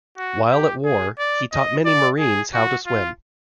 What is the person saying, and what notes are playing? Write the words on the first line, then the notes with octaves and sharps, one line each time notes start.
While at war, he taught many Marines how to swim.
F#4
G4
G#4
D5
D#5
D5
G#4
F#4
F4